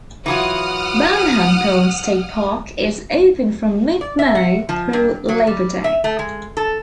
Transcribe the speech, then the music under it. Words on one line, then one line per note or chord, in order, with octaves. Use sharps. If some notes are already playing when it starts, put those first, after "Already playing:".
Burnham Point State Park is open from mid-May through Labor Day.
E3 F#3 F4 F#5 D#6 F6
D5
E5
F#5
F3
G2
F#3
G3
E5
A3
G#3
A4